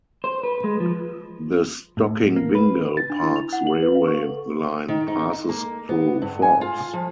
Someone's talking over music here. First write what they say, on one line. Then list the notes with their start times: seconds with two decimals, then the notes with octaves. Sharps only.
The Stockinbingal-Parkes railway line passes through Forbes.
0.24 C5
0.43 B4
0.64 G#3
0.80 F3
1.97 A2
2.36 A#3
2.55 B4
2.97 A6
3.10 D4
3.22 E4
3.36 F7
3.53 F#5
3.67 F#7
3.82 B4
3.95 F5
4.08 C#6
4.23 A4
4.88 D#3
5.08 D#4
5.49 A#3
5.89 B3
6.22 G2
6.42 G#5
6.61 F4
6.93 F3